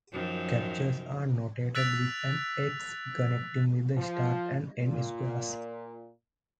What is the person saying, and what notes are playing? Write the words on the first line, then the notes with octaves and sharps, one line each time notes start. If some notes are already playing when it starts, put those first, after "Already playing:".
Captures are notated with an "x" connecting the start and end squares.
F#2 D#3 F3
E6 F#6 A6 B6 D7 F7
F3
A#2